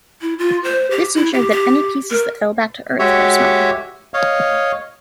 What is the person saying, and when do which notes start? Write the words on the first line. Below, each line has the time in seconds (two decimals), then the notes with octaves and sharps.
This ensured that any pieces that fell back to Earth were small.
0.21 E4
0.39 F4
0.64 C5
0.91 G4
1.15 E4
1.33 G4
1.51 G4
2.11 A#4
2.99 G#3 F#4 G4 C#5 E5
4.14 C#5 D#5 F5